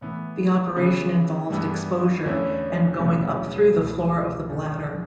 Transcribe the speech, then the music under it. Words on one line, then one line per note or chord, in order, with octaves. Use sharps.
The operation involved exposure and going up through the floor of the bladder.
A2 E3 B3
C#3 E3 B3
G2 E3 G3 B3
E2 D3 A3 C#4 E4
E1 D2 C#3 F#3 B3
C#2 B2 A3 E4
E1 E2 D3